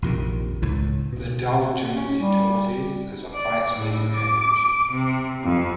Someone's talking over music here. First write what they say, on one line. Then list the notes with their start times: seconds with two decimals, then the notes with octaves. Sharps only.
The Dow Jones Utilities is a price-weighted average.
0.02 A#1 F2 C3 D#3
0.62 C#2 A2
1.13 B2
1.94 C#4
2.16 G3
3.32 D5
3.74 A2
4.15 D6
4.90 C3
5.43 F2